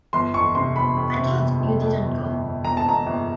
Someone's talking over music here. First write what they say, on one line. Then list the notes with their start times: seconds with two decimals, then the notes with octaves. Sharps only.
I thought you didn't go.
0.13 G1 C6
0.34 F2 C#6
0.55 C3 C6
0.76 G1 B5
0.97 F2
1.18 C3
1.39 G1
1.60 F2
1.81 F2
2.02 G1
2.23 G1
2.43 G1
2.64 G1 A#5
2.77 A5
2.86 F2 A#5
3.06 G1